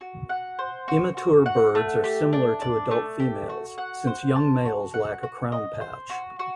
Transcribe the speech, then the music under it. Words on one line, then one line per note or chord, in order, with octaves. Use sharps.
Immature birds are similar to adult females, since young males lack a crown patch.
F#4
F#5
C5
F#4
F#4
F#5
A3
G4
D4
D5
A3
G4
F#4
F#5
C5
A5
F#4
F#5
F#4
D#5
C5
F#4
F#4